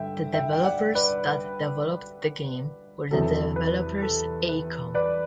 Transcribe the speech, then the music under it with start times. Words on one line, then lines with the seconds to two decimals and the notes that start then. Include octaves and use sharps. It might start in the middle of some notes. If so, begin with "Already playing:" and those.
The developers that developed the game were the developers Aicom.
Already playing: G2 D3 E5 G5
0.33 E5 G5
0.53 G5
0.64 D5 F#5
0.95 B4 D5
1.26 B4
3.11 E2 C3 F#3 A4
3.56 B4
4.02 A4
4.49 B4
4.95 B4 D5